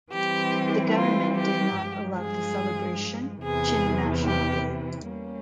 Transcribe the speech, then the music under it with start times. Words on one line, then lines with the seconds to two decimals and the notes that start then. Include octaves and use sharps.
The government did not allow the celebration Chin National Day.
0.12 E3 G3 C4 G4
0.94 F4
1.36 G4
1.78 G2 F3 G#3
2.18 G#4
3.42 E2 C3 E3 G#4
4.25 G4
5.07 G3 A#3 C#4